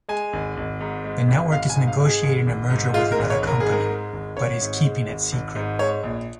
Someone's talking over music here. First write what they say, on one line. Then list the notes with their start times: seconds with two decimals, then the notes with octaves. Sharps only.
The network is negotiating a merger with another company, but is keeping it secret.
0.09 G#3 G#5
0.33 G#1
0.57 G#1
0.80 G#2
1.04 G#3
1.28 G#1
1.51 G#1 F5
1.70 G#5
1.75 G#2
1.87 F5
1.99 G#3
2.05 G#4
2.23 G#1
2.47 G#1
2.70 G#2
2.94 G#3 F4
3.12 A#4
3.18 G#1
3.30 C#5
3.42 G#1 A#4
3.60 G#4
3.65 G#2
3.72 A#4
3.89 G#3
4.13 G#1
4.37 G#1 C#5
4.61 G#2
4.84 G#3
5.08 G#1
5.32 G#1
5.55 G#2
5.79 G#3 C#5
6.03 A#1